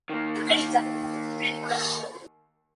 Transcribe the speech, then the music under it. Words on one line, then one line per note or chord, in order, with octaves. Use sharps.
Two cars of Satyaki were going to be delivered on the day of Mahalaya.
D#3 A#3